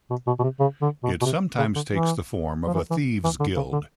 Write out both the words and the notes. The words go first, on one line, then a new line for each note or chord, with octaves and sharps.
It sometimes takes the form of a thieves' guild.
B2
B2
B2
C3
C#3
D3
B2
B2
C3
C#3
D3
E3
F3
E3
E3
E3
D3
C#3
D3